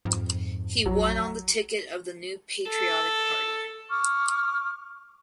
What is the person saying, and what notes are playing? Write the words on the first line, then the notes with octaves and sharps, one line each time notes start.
He won on the ticket of the New Patriotic Party.
F2 G#2
A#1 F#3
A4
C#6 D6 F6